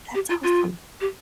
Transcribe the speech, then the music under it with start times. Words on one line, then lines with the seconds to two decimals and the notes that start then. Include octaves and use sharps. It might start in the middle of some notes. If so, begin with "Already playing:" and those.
That's awesome.
0.14 G4
0.29 F4
0.43 F4
1.01 G4